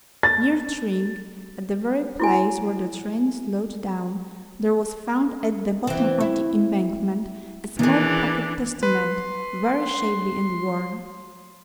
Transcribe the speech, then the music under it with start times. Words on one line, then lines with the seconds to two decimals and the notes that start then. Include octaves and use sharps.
Near Tring, at the very place where the train slowed down, there was found at the bottom of the embankment a small pocket Testament, very shabby and worn.
0.23 A6
2.20 E4 F#4 G#5
5.87 E3 C4
6.20 E4
7.79 D#3 E3 D4 G#4
8.83 B4 C6